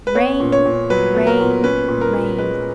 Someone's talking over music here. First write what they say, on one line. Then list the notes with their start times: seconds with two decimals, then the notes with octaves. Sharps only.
Rain, rain, rain!
0.07 B4
0.15 B3 C#5
0.40 A#2
0.52 C#5
0.65 A#2
0.90 F#3 B4
1.15 B3
1.27 A#4
1.40 A#2
1.64 C#4 B4
1.89 A#2
2.01 A#4
2.14 A#2
2.38 G#3 B4